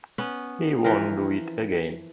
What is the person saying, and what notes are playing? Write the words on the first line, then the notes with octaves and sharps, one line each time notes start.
He won't do it again.
B3 C#4
E3 F3 A#4